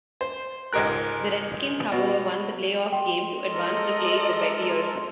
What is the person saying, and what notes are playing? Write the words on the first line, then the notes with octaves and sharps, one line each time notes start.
The Redskins, however, won the playoff game to advance to play the Bears.
C5
C#2 G#2 G4 A#4 F#6
B2
G5 C6
G#3 A4 A#4 D#5